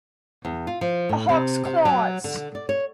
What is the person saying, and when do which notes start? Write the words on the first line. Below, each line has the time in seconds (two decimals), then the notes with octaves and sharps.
A hawk's claws.
0.45 E2
0.67 F4
0.81 F3
1.09 A2
1.29 C3
1.65 C3
1.85 F#3
2.24 D3
2.55 D5
2.69 C#5